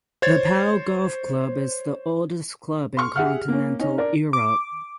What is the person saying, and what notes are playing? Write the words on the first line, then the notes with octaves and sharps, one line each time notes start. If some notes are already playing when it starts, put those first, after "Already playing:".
The Pau Golf Club is the oldest club in continental Europe.
C5 C#5 G#6 A6
C6 C#6 F6
G4 G#4 E5 F#5 F6
A#3 C#4
C#4 D#4
D4 A#4 D5
D6